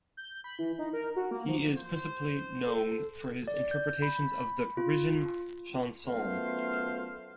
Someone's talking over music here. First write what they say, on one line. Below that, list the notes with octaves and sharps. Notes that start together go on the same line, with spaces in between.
He is principally known for his interpretations of the Parisian chansons.
G6
B5
E3
D#4
A#4
F#4
A#3
F3
C5
A4
D5
G6
B5
F4
F#2 A3 B3 F4 C5 F5